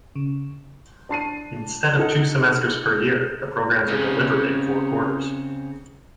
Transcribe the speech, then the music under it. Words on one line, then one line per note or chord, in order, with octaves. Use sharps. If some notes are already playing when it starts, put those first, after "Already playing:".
Instead of two semesters per year, the programs are delivered in four quarters.
C#3
D4 A5 C7 D#7
D#4 A4 F#5
C#3 C4 C#4 D#4